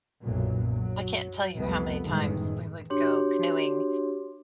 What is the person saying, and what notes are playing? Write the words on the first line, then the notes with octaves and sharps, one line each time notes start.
I can't tell you how many times we would go canoeing
B1 F#2 A#2 F#3
F#3
C2 F2 A3 B3
G1 F#2 A2 D#3 E3 G#3
D4 F#4 G4 C#5 C6